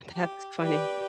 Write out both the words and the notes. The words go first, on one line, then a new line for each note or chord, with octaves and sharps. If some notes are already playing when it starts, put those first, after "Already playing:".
That's funny.
G4
G4 B4 D5 G5